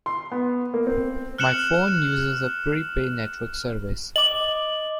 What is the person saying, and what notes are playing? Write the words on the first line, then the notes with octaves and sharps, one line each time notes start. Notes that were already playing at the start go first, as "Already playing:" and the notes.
My phone uses a prepay network service.
C6
B3
A#3
C4
F6 F#6 C#7 E7 F#7
D#5 D6 F#7